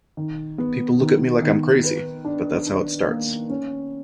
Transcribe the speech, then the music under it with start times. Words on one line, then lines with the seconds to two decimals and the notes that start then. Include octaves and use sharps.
People look at me like I'm crazy, but that's how it starts.
0.17 D#3
0.58 B3
1.00 D#3
1.42 D#3
1.84 B4
2.25 D4
2.66 D4
3.08 A#3
3.50 C#4